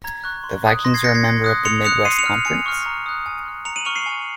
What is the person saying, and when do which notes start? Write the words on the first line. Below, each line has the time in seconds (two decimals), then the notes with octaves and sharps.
The Vikings are a member of the Midwest Conference.
0.04 A#5 G#6
0.24 C#6 F#6
0.44 C6
0.65 D#6 F#6
0.85 C6 A#6
0.94 G#6 C7
1.04 F#6 A#6 C#7
1.14 G#6 C7
1.24 C6
1.44 D#6 F#6
1.65 C6 C#7 F7
1.84 D#6 F#6 C#7 F7
2.05 C6 C7 D#7
2.19 C#7 F7
2.26 F6
2.45 G#5 C#7 F7
2.66 C#6 F6
2.86 A#5
3.06 D#6 F#6
3.26 G#5
3.45 C6 F6
3.65 A#5 C#7 F7
3.76 D#7 F#7
3.85 C#6 F6 C#7 F7
3.96 C7 D#7
4.06 G#5